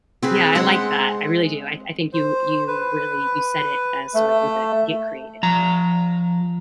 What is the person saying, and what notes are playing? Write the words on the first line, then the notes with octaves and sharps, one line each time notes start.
Yeah, I like that, I really do; I I think you you really you said it as like, with the "get creative."
C4 G#4 B4
G#3 C5 F#5
C5
B4
A3
F3 A#5